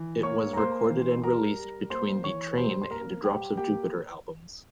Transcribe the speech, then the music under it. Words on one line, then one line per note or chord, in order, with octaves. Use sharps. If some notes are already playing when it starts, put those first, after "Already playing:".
It was recorded and released between the "Train" and "Drops of Jupiter" albums.
Already playing: E3
A#3 C#5 C#6
A#5
A#3 C5 C6
E3
G3 A#4 A#5
G3
A#3 C5 C6
E3 C#5 C#6
G3 C5 C6
C6
A#3 A#4 A#5
G3 G4 G5
A#3 G4 G5